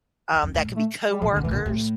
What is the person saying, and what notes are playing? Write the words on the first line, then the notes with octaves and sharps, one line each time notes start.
um, that can be coworkers.
E2
F2
A2
A#2
A3
G3
A#2 F3
D3
C3
A2 E3
A#2
D3
A2 C3